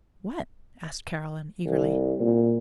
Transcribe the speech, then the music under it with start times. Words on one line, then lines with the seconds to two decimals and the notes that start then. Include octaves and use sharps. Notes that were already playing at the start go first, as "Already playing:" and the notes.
"What?" asked Caroline, eagerly.
1.65 C2
2.20 A#2